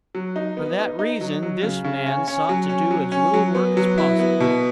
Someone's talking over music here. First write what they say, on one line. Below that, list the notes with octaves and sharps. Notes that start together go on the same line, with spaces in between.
For that reason this man sought to do as little work as possible.
F#3
D#4
B3
D#4
D#4
F#3
F#3
C#3
C#3
C#4
C#4
F#3
C#4
F#3
C#4
F#3
B3
F#3
E4
B3
B2